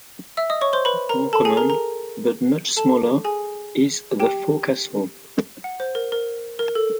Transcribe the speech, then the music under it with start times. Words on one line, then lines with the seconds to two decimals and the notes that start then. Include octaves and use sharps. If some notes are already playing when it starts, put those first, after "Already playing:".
More common, but much smaller, is the forecastle.
0.37 E5 E6
0.50 D#5 D#6
0.61 C#5 C#6
0.73 C5 C6
0.85 B4 B5
1.09 A#4 A#5
1.33 A4 A5
1.45 G#4 G#5
1.57 A#4 A#5
1.70 A#4 A#5
2.77 A4 A5
3.25 G#4 G#5
4.20 G4 G5
5.64 F#5
5.80 C5
5.95 A#4
6.12 A#4
6.59 A#4
6.75 A4